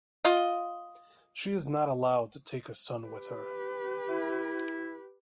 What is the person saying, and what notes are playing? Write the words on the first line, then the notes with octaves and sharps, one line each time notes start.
She is not allowed to take her son with her.
F4 D#5
G4 B4
E4